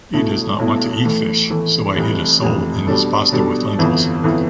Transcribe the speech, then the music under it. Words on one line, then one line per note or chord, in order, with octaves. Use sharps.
He does not want to eat fish, so I hid a sole in his pasta with lentils.
B1 B2 A3 E4
B1 B2 A3 E4
A2 E3 A3
A2 E3 A3
F1 F2 E3 G3
F1 F2 E3 G3
B2 G3 D4 A4
B2 G3 D4 A4
G1 F2 E3 B3 E4
G1 F2 E3 B3 E4